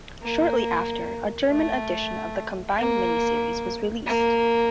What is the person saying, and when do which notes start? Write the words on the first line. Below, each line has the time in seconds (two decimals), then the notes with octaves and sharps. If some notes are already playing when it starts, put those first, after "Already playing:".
Shortly after, a German addition of the combined mini-series was released.
0.22 A#3
1.50 A3
2.78 A#3
4.06 A#3